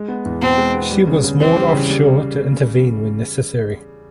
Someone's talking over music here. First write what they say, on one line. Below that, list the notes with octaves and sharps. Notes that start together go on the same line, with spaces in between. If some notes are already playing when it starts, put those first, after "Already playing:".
She was moored offshore to intervene when necessary.
Already playing: G#3
B3
E2
B2 C4
G#3
B3
G3
C#3
C#3
E3 C4
G3
C#3
G3